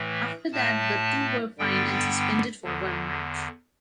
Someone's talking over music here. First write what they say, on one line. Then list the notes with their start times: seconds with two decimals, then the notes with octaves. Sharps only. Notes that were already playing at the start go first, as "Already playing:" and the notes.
After that the two were fined and suspended for one match.
Already playing: A2 E3 A3
0.52 A2 A3 A5
1.59 G2 D3 G3 B3 G5
2.64 E2 D3